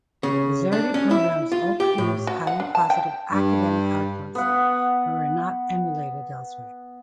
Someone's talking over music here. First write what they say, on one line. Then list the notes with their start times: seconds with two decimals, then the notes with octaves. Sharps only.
These early programs all produced highly positive academic outcomes, but were not emulated elsewhere.
0.23 C#3
0.73 D4
0.94 C#4
1.11 E4
1.52 F4
1.80 G4
1.98 A2
2.27 F#4
2.47 F#5
2.60 D4
2.75 A5
2.90 G5
3.33 G2
4.35 B3 F#5